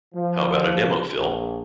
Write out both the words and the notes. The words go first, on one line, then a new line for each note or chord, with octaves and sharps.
How about a demo, Phil?
F3
A#1